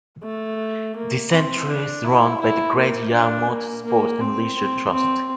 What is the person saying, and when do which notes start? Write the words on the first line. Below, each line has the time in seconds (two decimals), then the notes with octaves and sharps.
The centre is run by the Great Yarmouth Sport and leisure Trust.
0.23 A3
0.96 A#3
1.33 C4
1.69 D4
2.04 E4
2.41 E4
2.76 A#3
3.12 D4
3.48 A#3
3.85 A#3
4.21 C4
4.57 C4
4.92 C4